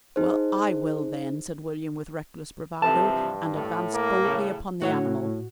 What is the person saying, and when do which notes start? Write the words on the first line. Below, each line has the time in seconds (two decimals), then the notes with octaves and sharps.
"Well, I will, then!" said William with reckless bravado, and advanced boldly upon the animal.
0.16 D#4 G#4 C5
2.82 C3 E3 F3 A4 A5
3.12 G2
3.54 A2
3.93 A#3
4.23 A2 C#3
4.82 A2 F#4 C#5 F#5